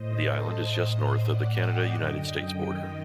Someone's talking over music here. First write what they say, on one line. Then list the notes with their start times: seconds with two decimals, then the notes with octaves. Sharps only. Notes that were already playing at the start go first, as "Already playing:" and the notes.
The island is just north of the Canada-United States border.
Already playing: A2 C5 D#5
0.26 A4 C5
0.60 A2 C5 D#5
0.93 C5 D#5
1.27 A2 D5 F#5
1.61 D#5 G5
1.94 F#2 D3 D#5 G5
2.61 F#2 D#3 D#5 G5